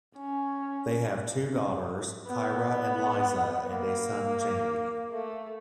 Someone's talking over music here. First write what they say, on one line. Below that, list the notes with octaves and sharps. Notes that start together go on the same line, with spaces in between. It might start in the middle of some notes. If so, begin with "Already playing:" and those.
They have two daughters, Kyra and Liza, and a son, Jaime.
C#4
B3
A#3
A3